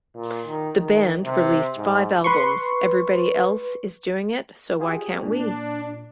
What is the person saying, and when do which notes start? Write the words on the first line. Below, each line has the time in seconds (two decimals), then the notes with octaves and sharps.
The band released five albums: Everybody Else Is Doing It, So Why Can't We?
0.15 A#2
0.47 D#3
0.77 D#3
1.25 C3
1.77 G#2
2.24 B4 C6 C#6
4.80 F4 G4 G#4
5.23 A#2 D4